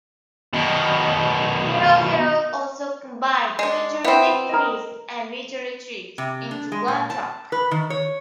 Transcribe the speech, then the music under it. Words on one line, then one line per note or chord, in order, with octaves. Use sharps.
"Hero, Hero" also combine "Winter", "Deep Freeze" and "Winter Retreat" into one track.
B2 D#3
G#3 D4
B3 C4 E4
A#4 D#5
C3
D4
G#3
A#2
A5
B4
D#3
C#5